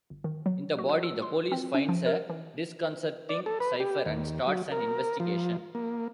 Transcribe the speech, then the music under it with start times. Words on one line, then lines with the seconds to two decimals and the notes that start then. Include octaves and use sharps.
In the body, the police finds a disconcerting cipher and starts an investigation.
0.10 G1
0.24 D#3
0.46 F#3
0.79 F#4
1.03 E6
1.22 C6
1.52 C4
1.74 C#4
1.89 F3
2.06 A#4
2.29 E3
3.29 D5
3.46 A4
3.60 B4
3.80 G4
4.06 D#2
4.47 F#3
4.72 A#4
5.20 F3
5.75 A#3